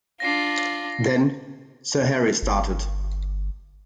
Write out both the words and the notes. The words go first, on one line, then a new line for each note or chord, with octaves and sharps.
Then Sir Harry started.
D4 F4 A#6 C7
G1